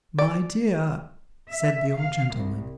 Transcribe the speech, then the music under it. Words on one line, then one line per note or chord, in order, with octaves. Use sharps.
'My dear,' said the old gentleman.
D5
E5
F5
C2